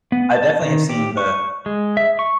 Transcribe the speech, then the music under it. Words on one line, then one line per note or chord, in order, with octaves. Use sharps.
I definitely have seen the
B3
A5
D#3
G4
C#6
G#3
E5
C#6